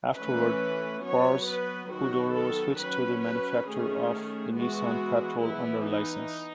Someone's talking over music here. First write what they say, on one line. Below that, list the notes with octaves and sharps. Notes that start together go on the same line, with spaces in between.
Afterward, Pars Khodro switched to the manufacture of the Nissan Patrol under licence.
E3 A3 C#4 B4
F#3 B3 C#5
B4
D#3 F#3 B3 F#4
A4
F#3 C#4 B4
B4
D#3 A3 C#4 G#4
E3 G#3 B3 F#4
E3 B3 E4
D#4